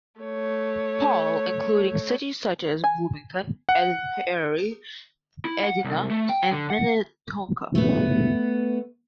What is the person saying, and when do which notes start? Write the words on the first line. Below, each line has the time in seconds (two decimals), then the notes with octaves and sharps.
Paul including cities such as Bloomington, Eden Prairie, Edina and Minnetonka.
0.20 A3 C#5
2.84 G#5
3.69 F#5
5.45 E4
5.63 F#5
5.84 C2
6.10 A3
6.29 G5
6.52 D3
6.70 F#5
7.75 A3 B3